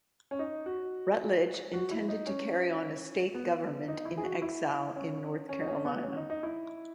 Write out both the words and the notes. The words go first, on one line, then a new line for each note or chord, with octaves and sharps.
Rutledge intended to carry on a state government in exile in North Carolina.
C#4
D#4
F#4
F#4
E4
D#4
C#4
B3
D#4
E4
G#4
F#4
E4
C#4
C#4
D#4
C#4
B3
C#4
D#4
D#4
E4